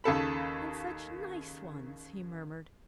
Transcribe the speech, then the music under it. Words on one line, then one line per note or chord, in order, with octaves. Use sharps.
"And such nice ones," he murmured.
D#2 C#3 A4 B5